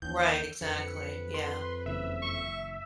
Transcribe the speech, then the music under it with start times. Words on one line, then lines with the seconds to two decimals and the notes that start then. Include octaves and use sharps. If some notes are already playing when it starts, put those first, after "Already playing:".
Right, exactly, yeah.
0.02 D#2 E3 C#4 G6
0.61 F2 D3 B4 C#7
1.34 C6
1.86 F#1 C#3 E3 B4 E5
2.22 C#6